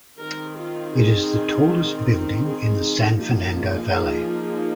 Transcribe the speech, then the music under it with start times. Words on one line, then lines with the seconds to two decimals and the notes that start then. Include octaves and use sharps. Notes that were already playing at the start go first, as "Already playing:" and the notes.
It is the tallest building in the San Fernando Valley.
0.20 D#3 C4 D#4 A#4
0.57 F4
0.95 G#4
2.44 G#4
2.82 G#4
3.19 F3 A#3 D#4
3.56 G#4